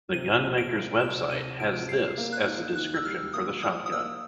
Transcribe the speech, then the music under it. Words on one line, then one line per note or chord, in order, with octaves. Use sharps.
The gun maker's website has this as the description for the shotgun.
C3 D#7
F3
D7
C2
C2 E7
C3 D#7
F3 D7
G3 C7
A#3
F#6
D#4
D#3 F#6
E6
G3 F6
A#3 D#6
F3 D#6
D#6
A#3 E6